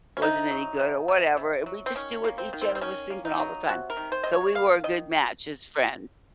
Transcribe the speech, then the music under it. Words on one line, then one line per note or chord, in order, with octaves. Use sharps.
wasn't any good or whatever. We just do what each other was thinking all the time. So we were a good match as friends.
C#4
C3 D#4
F#3
C3
C3
C3
F#3
C4
D#3 C#4
A#3
C4
D#3
C4
C4
D#3 C#4
A#3
D#4
F#3
C3 F#4
A#4
D#3
C5
C3 D#5
C#5
A#3 F5
D#3 D#5